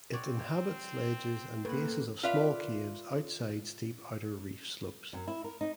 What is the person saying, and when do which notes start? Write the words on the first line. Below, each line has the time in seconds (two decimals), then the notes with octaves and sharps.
It inhabits ledges and bases of small caves outside steep outer reef slopes.
0.13 C4 F#4 C#5 D5
1.65 A2 A#3 B4 F#5
2.23 F4 B4 D5 E5 F5
5.13 F#2
5.28 E4
5.44 A#4
5.61 D#4